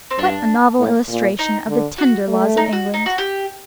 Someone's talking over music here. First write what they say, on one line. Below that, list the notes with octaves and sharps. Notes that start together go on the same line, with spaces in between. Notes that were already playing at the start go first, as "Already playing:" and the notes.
What a novel illustration of the tender laws of England!
C4
G2 D4
A2
A#2
D#4
D3
F#4
A3
D#4
F#4
D#4
F#4
G4